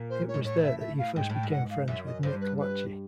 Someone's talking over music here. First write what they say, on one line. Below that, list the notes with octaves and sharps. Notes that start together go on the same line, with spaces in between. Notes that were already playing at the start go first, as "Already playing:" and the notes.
It was there that he first became friends with Nick Lachey.
Already playing: A#2
C5
C#5
G#2
A2 C#5
E5
E5
F5
G#2 G5
A2 G5
G#2
F#5
F5
F#2 E5
D#5
G2 C5
B4
B4